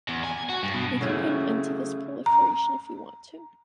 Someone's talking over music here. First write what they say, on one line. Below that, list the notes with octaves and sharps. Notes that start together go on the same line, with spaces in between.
We can put an end to this proliferation if we want to.
E2
G#5
F#4
G2
B2
C#3 F#3 A3 E4
A#5